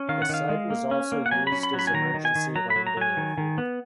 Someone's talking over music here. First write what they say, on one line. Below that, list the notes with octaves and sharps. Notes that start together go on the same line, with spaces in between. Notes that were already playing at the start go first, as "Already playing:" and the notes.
The site was also used as emergency landing airfield.
Already playing: C#4
D#3 F5
F#5
D#3 F5
G#3
A#3
C#4
A#3
F#5
F#3 G#5
B5
C#4
B5
F#3
B5
G#5
D#3 A#5
D#3
G#5
D#3
F#3 A#5
B5
F#3
A#5
F#3 G#5
D#3
D#3
B3